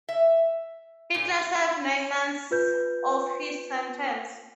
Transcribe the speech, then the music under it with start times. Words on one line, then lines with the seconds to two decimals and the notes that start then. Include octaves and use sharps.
Hitler served nine months of his sentence.
0.09 E5
1.14 A#2
2.51 F4 B4 G6